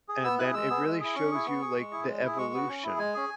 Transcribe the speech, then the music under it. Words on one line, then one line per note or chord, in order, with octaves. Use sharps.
and then it really shows you, like, the evolution,
G#4
B3 E6
E4 G#4 F#6
G#3 E6
B3 G#4
G#3
E4 G#4
C#4 C#6
E4 G#4
B3
G#4
G#3
E4 G#4
G#3
E4 G#4
G#3 C#6
B3 F#4
C#4
E4 G#4
G#3 G#5
C#4 G#4